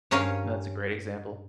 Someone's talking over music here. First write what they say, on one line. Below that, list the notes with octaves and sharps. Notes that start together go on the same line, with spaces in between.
That's a great example.
G2 C#4 A#4 C#5 F5 G#5